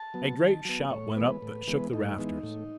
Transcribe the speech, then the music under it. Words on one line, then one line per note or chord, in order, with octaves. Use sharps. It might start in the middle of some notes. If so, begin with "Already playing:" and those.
A great shout went up that shook the rafters.
Already playing: A5
F#3 B3
D#3
F#3 B3
A2 C#5
E3 G#3 B3 B4
A2
E3 G#3 B3
A2 D#4
E3 G#3 B3
A2